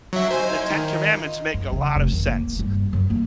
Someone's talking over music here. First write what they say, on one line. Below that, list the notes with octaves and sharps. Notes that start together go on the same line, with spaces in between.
Eh, The Ten Commandments make a lot of sense,
A#2 F#3 D4 E5
C3 D#4 C5 G#5
A#3 D#4 E4
D#3
F4
F#2
C#3
F1
D#3
A#3
G2
F#2
A#3